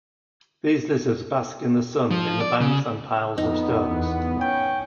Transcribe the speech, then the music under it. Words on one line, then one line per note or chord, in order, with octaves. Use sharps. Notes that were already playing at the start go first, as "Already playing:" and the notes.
These lizards bask in the sun in the banks and piles of stones.
F3
D5
C#3
F2 B3 D#4
E2
C#4 G5